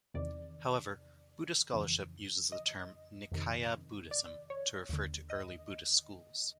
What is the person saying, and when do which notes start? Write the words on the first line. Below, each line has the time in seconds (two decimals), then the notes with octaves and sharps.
However, Buddhist scholarship uses the term "Nikaya Buddhism" to refer to early Buddhist schools.
0.14 E2 C3 D#3 D5
1.73 F2 C#3 E3
2.52 D#5
3.32 F2 C3 D#3
4.11 D5
4.50 C#5
4.89 D#2 D3
5.30 D#5